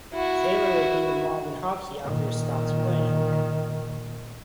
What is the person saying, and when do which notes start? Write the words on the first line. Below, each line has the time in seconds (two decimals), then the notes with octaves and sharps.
Taylor remained involved in hockey after he stopped playing.
0.14 E4 F#4
2.04 A#2 D#3